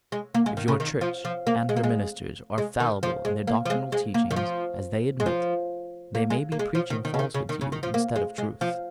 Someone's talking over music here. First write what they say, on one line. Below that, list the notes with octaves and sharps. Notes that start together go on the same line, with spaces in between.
If your church and her ministers are fallible in their doctrinal teachings, as they admit, they may be preaching falsehood to you, instead of truth.
G#3
A#3
G#3
D#3
C#3
D#3
F3
F3
A#3
G#3
A#3
G#3
G#3
D#3
F3
G#3
A#3
F3
G#3
G#3
A#3
D#3
F3
G#3
F3
A#3
G#3
A#3
G#3
F3
D#3
D#3
C#3
D#3
C#3
D#3
C#3
D#3
F3
A#3
G#3
G#3
F3